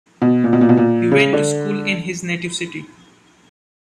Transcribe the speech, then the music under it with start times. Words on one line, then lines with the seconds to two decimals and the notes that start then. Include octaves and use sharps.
He went to school in his native city.
0.22 B2
0.44 A#2
0.53 B2
0.61 A#2
0.69 B2
0.77 A#2
1.12 C#3
1.33 D3